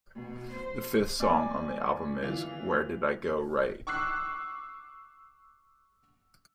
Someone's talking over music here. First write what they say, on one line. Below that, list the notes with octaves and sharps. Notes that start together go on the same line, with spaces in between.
The fifth song on the album is "Where Did I Go Right?".
B2
C5
A2 D5 G#5
E3 F4
C#6 D6 E6 F#6 C7